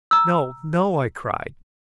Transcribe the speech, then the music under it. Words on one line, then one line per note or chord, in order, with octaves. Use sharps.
"No, no!" I cried.
A#5 E6